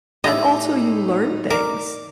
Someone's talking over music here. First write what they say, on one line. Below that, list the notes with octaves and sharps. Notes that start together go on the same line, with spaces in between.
and also you learn things.
A2 D#4 E4 G4 D#5
A#4 D5